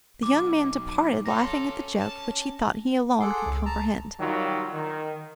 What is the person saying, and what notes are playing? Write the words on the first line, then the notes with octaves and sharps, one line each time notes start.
The young man departed, laughing at the joke, which he thought he alone could comprehend.
B1 D6
C#4 F4 A4 A#5 A#6
A5
G#4 A4 F#5 C6 D6
C#2
A5 A#5
D#3 F#3 G3 F4
D#3